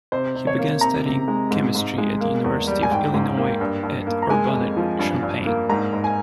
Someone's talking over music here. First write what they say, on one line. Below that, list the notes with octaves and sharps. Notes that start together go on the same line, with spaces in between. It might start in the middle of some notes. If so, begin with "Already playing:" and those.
He began studying chemistry at the University of Illinois at Urbana-Champaign.
C3 C5
C3
C#5
A#3
C3 A#5
C3
G#3
G#2
G#2
G#3
A#3
E2
G3
G#5
G#2 G5
G#2
A#3
G2
G2
A#3
A#5
G#3 G#5
F2
F3
G2
G2
A#3
G#2 A#5
G#2
G#5